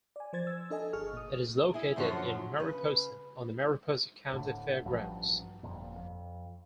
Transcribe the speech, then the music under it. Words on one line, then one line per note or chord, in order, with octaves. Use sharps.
It is located in Mariposa on the Mariposa County fairgrounds.
D5 G#5
F3 C5 G#6 A6
E6
D4 A4 D#5 G#5
G1 G#4 C#6 F6
A#2 D#6
E4 G#4 D#5
F#2 D3 F3 F#3 F#4
C#3 B4
D1 A2 D3
A1 G2 F3 F#3
G1 F2 A#2
F2